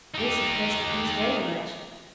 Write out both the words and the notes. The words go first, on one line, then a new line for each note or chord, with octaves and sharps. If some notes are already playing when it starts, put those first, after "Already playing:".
This impressed the Geese very much.
D#4 G4